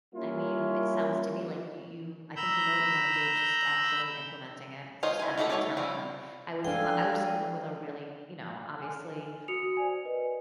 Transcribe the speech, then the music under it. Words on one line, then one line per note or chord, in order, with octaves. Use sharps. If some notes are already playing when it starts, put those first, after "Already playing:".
I mean, it sounds to me like you you I think you know what you wanna do, it's just actually implementing it, it's just actually telling them. I would come u I would just come up with a really, you know, obviously,
G3 A#3 C#4 E4 F4
A#5 B5 E6 G6
D#4 F4 C5 C#5 D#5
E4 G#5
D#4 F#4 G4 A4 A#5
A3 F4 C#5 G#5 A5
F3 G3 E4
G#3 D4 A4 F5 G5 G#5
G#5 F6
F#4 D#6 C#7 F7
C5 D5 G#5
A#4 B4 D#5